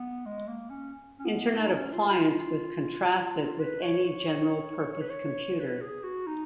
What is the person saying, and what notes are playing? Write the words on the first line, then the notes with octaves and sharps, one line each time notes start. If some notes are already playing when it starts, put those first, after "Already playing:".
Internet appliance was contrasted with any general purpose computer.
Already playing: B3
G#3
A#3
C#4
C#4
B3
D#4
C#4
F4
F4
B4
C#5
C#5
C#5
B4
C#5
B4
G#4
F#4
D#4